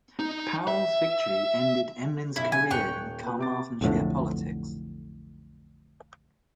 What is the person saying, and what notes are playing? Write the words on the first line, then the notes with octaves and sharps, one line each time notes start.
Powell's victory ended Emlyn's career in Carmarthenshire politics.
D#4
E5
B1 E4
G#5
D#1 G5 C#6 F#6 F7
A#2 B4
C3 D6 A6
B1 F2 A2 D3